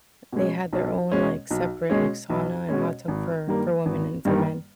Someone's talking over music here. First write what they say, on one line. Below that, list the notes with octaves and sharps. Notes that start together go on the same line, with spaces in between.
they had their own, like, separate, like, sauna and hot tub for for women and for men.
B2 G#3 C#4
B1
B2 G#3 C#4
B1
B2 G#3 C#4
B1
B2 G#3 C#4
G#1
G2 D#3 G3 A#3
G#1
G2 D#3 G3 A#3